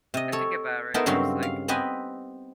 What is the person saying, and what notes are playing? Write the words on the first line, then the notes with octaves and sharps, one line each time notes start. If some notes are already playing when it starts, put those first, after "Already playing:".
I think about it right now, and it's, like,
C3 D#5
A4 C#5
B3 D#4 E4 A4 A#4 C5
G2 C#3 F#3 C4 F5 C6
F5
B3 C4 G4 B4 D#5 G#5